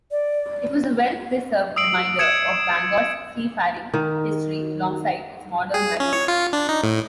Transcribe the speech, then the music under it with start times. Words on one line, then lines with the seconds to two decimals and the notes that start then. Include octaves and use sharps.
It is a well-preserved reminder of Bangor's seafaring history alongside its modern marina.
0.11 D5
1.76 D#6 E6 C7 D7 F#7
2.19 D#6 G#6 C#7 D7 E7
3.94 D#3
5.74 G#4
6.00 C#4
6.13 C#5
6.28 F4
6.53 D4
6.69 D#4
6.83 A2